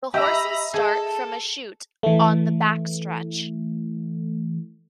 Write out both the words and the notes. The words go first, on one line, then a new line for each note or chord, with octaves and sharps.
The horses start from a chute on the backstretch.
G4 D#5 E5 A#5 B5 E6
G#4 A4
E3 A3